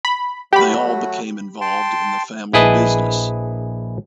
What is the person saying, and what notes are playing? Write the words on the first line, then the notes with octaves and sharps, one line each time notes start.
They all became involved in the family business.
B5
F#3 A3 F#4 G4 B5
G5 A5 C6
A#1 E4 G#4 B4 D#5 A5